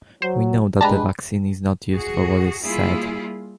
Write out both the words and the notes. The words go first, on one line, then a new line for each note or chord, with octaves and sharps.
We know that the vaccine is not used for what is said.
F#3 C5
G#3 D4 G4 B4 A5 A#5
F#4 G#4
G3 A#3 E4 F4 G#4